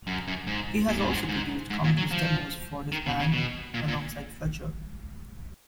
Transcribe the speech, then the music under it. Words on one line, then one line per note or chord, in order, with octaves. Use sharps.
He has also produced countless demos for his band, alongside Fletcher.
F#2
F#2
G#2
A#2
G#2
F#2
G#2
G#2
G#2
A#2
F#3
F3
D#3
B2
C#3
B2
A#2
A#2